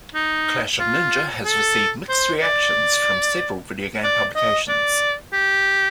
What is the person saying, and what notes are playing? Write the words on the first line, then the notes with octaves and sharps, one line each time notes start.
"Clash of Ninja" has received mixed reactions from several video game publications.
D#4
F4
A4
C5
D5
D5
D#5
D5
G4